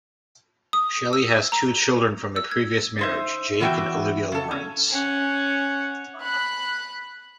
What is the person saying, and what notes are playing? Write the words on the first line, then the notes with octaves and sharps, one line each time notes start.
Shelley has two children from a previous marriage, Jake and Olivia Lawrence.
D#6
E6
A#5
E6
G#6
D#4 C5 E5
E2 E3 B3 F#4 E5 G5
C#3 A4
C#4
C#4 F#5
B5 F#6